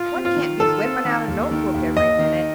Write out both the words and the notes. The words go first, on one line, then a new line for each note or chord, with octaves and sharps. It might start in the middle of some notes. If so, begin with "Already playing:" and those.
One can't be whipping out a note-book every minute.
Already playing: F4
C4
F4
D#3
D#3 A4
C4
D#3
D#2
D#3
D#2
D#2 D#5
D#3